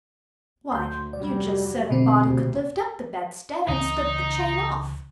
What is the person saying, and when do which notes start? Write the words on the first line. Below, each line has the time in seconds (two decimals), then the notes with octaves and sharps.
"Why, you just said a body could lift up the bedstead and slip the chain off."
0.72 D2 C6 G6
1.13 F1 F#3 G3 D5
1.90 B2 D3 C4
2.23 D2 C3
3.68 C#2 C#3 E3 D#4